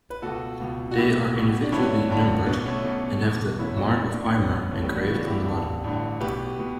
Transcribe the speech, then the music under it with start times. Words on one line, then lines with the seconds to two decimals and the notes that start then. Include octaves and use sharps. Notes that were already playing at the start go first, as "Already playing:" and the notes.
They are individually numbered and have the "mark of Imar" engraved on the bottom.
0.10 B4
0.22 C#2 B2 F#4 A4
0.60 C#2 B2
0.91 F#4
0.97 B1 B2 E4 G4
1.35 B1 B2
1.64 D4
1.72 G1 G2 D3 C#4 E4
2.09 G1 G2 D3
2.46 B1 B2 B3 D4
2.65 A3 C#4
2.85 B1 B2
3.22 E1 E2 B2
3.59 E1 E2 B2 C#4 E4
3.77 D4 F#4
3.96 D2 D3 E4
4.09 D4
4.23 C#4
4.34 D2 D3 B3 D4
4.71 D2 C#3 E3 A3 C#4
4.83 G3 B3
4.96 D4 F#4
5.08 D2 C#3 E3 D4 F#4
5.27 E4 G4
5.45 A1 G2 D3
5.84 A1 G2 D3
6.20 B1 B2 G4 B4
6.59 B2